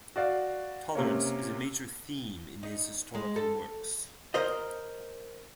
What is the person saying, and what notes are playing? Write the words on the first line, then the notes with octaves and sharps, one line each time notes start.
Tolerance is a major theme in his historical works.
F#4 D5 F5
C3 A#3 C#4
D#4
G#3
A4
A#4 C5 D#5